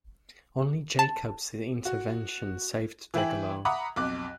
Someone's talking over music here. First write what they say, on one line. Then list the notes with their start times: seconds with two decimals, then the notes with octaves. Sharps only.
Only Jacobs' intervention saved Degelow.
0.99 A5
1.85 F#4
3.14 E3 E4 G5 G#5 F#7
3.65 E5 F#5 A#5 B5 D6 D#6
3.96 B1 F2 D6 F#6